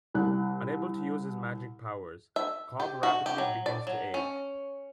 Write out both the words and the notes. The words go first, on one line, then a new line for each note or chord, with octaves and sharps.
Unable to use his magic powers, Cob rapidly begins to age.
C2 F#6
E5
G4
F#4
G4
F#3
D5
F#3
C#4